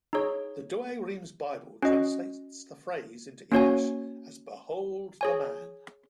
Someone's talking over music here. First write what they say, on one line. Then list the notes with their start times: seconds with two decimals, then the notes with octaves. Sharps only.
The Douay-Rheims Bible translates the phrase into English as Behold the man!
0.13 D#4 G#4 C#5
1.82 C#4 F#4 D#5
3.52 A#3 C#4 F#4 C#5 G#5
5.21 G#4 C#5 G#5